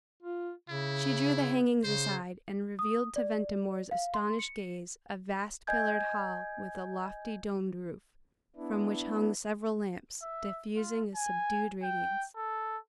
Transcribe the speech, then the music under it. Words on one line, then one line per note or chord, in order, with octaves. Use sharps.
She drew the hangings aside, and revealed to Ventimore's astonished gaze a vast pillared hall with a lofty domed roof, from which hung several lamps, diffusing a subdued radiance.
F4
C#3 E4
C#3 C5
D#6
D5
F5
C6
C#7
D#5 G#5 G6 G#6
B3 D4 E4
E5
F4
G#5
G5
A4